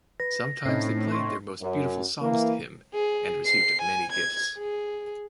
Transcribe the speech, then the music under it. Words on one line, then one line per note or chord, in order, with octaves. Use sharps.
Sometimes they played their most beautiful songs to him and received many gifts.
B4 A#6
A2 C4 C#4 D#4 C7
C6 C#6
F#2
E3 A#3
G#4
C7
G#5
G#6
G#4